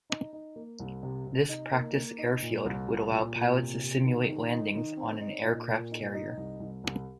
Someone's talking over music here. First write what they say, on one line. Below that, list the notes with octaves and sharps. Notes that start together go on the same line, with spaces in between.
This practice airfield would allow pilots to simulate landings on an aircraft carrier.
D#4
D#4
A#3
C2
C3
C3
D#4
A#3
A#3
D#4
A#2
C2
A#3
A#2
A#2
C3
C3
D#3
D#3
D#4
D#3
C4
D#4
A#2
A#2
D#4
D#4
C2
C2
C2